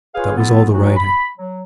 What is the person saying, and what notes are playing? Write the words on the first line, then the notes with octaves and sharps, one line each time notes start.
That was all the writing.
F4 G#4 B4 C#5 F5 G#5
F3 B3 E4 F4 A4
A2 E3 F#3 A3 D#4 F#4
B5
F#3